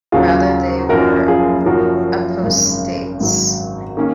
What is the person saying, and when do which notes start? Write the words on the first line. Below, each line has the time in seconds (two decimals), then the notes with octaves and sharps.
Rather, they were apostates.
0.12 D#2 C#3 F#3 F4 G#4
0.89 F#1 F#2 F3 F#4 A#4
1.28 F4 G#4
1.66 F#1 F#2 F3 F#4 A#4
2.43 G#1 F#2 C#3
3.20 G#1 G#2 D#3 F#3
3.97 D#3 A#3 C#4